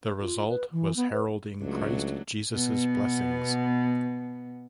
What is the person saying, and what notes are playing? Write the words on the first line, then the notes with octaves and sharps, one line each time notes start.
The result was Heralding Christ Jesus' Blessings.
F4
B4
E3
B3
B4
C#2 F#3 A3 D4
B2 B3